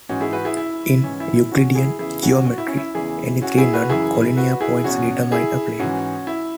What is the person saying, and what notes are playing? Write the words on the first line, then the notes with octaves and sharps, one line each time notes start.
In Euclidean geometry, any three non-collinear points determine a plane.
G#2 E3 C#4 F#4
E4 G#4
F#4 B4
E4 G#4
E4
G#2 E3 C#4
E4
E4
C#4 F#4
E4 G#4
E2 C#3 E3 E4 G#4
C#4 F#4
F#4
E4
C#4
E4
E2 C#3 E3 E4 G#4
C#4 F#4
E4 G#4
F#4 B4
F#2 C#3 E3 E4 G#4
F#4 B4
E4 G#4
E2 B2 C#4 F#4
E4 G#4
G#2 E3 C#4 F#4
E4